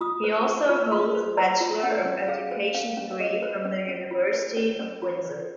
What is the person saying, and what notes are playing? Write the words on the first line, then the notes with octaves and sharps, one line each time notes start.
He also holds a Bachelor of Education degree from the University of Windsor.
F4 D#6
C5
C5 C#6
F4
F4 C6
C5
C5 A#5
F4
C#4 F#5
C#4
G#4 F5
C5
C#4 F5
C#4
C#5
G#4 D#5
C5
C#4
C#4
F4
C5
C#4 C#5
C#4
F4
C5